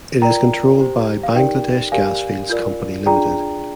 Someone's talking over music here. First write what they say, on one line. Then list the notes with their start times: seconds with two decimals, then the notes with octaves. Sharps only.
It is controlled by Bangladesh Gas Fields Company Limited.
0.22 F4 A#4 D5 G5 A#5
0.79 G4 C5
1.23 F5
1.35 D#4 G4 A#4 D5 G5
1.92 G4 A#4 D5 F5 G#5
2.50 F4 A#4 D5
3.06 D4 F4 G#4 D5 G5 A#5